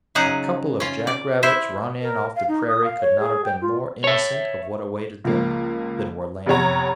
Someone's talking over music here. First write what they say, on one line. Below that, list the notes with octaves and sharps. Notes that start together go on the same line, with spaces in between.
A couple of jack-rabbits, run in off the prairie, could not have been more innocent of what awaited them than were Lena and I.
C#3 F#3 D#4 G#4 F#5
C#4 F4
D5
E4 C5 E5
A#4
F5
D#4
D#6
F5
C#5
G#4
G5
F4
C#5 E5
C#2 F3 A#3
F1 B3 C#5 A#5